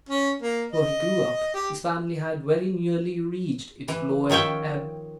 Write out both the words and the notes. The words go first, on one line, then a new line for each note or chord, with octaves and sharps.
Before he grew up, his family had very nearly reached its lowest ebb.
C#4
A#3
D#5
G4
E3
D#3 F3 C#5 E5 G5